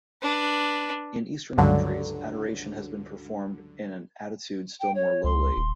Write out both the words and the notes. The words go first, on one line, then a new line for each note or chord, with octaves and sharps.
In Eastern countries, adoration has been performed in an attitude still more lowly.
D4 B4
C#2 G2 D3 F#3
G5
C#5
C#2 C6
D#1